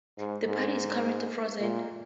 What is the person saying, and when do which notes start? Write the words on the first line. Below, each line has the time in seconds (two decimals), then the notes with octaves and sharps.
The party is currently frozen.
0.18 G#2
0.46 G#2
1.60 A#2